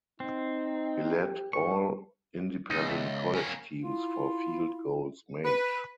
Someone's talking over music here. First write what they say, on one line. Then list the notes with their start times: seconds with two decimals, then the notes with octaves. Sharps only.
He led all independent college teams for field goals made.
0.20 C4 D#4
1.16 G4
1.53 G#2 C#6
2.70 C#2 D#4
2.90 E5
3.35 A#3 C#4
3.83 E4 F4
5.45 B4